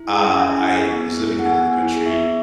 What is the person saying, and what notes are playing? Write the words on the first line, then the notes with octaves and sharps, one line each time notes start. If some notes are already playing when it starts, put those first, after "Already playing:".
uh, I was living in another country,
Already playing: E4
G#4
C#4 G#5
C#4
E4
G#4
B3
B3
E4
G#4
F#5
B3 G#5
B3
E4
G#4
B3 E5
B3